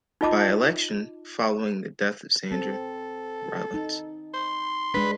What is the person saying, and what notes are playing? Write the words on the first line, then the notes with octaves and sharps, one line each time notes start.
By-election following the death of Sandra Rylance.
D#4 F4 D#5 A5 D6
C4 A4
D#4
C6
G#3 D4 B4